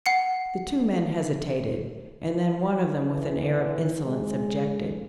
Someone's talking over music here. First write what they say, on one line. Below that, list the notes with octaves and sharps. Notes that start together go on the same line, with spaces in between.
The two men hesitated, and then one of them with an air of insolence objected.
F#5 C7 C#7
E3
G#3